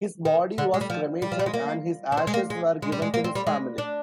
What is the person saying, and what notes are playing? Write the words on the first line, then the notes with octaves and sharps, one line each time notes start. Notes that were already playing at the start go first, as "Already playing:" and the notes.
His body was cremated and his ashes were given to his family.
D#3
D3
G#3
G3
F3
G3
F3
G3
G#3
A#3
D4
C4
G#3
A#3
G#3
G#3
G3
G#3
A#3
C4
G3
G#3
D4